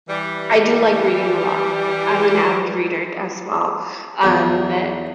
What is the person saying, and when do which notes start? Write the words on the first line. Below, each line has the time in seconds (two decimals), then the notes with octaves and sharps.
I do like reading a lot. I'm an avid reader d as well, um, but
0.08 E3 G3
4.23 E2